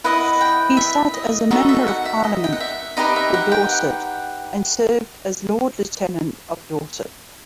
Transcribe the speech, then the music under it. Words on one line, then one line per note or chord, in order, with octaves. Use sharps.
He sat as Member of Parliament for Dorset and served as Lord-Lieutenant of Dorset.
E4 B4 D#5 F#5
G5
E5
D#5
D#4 F#4 A4 E5
E5
F#5
E5
D#5
G5
F#5
E5
D#4 G4 B4 D#5
E5
F#5
G5
F#5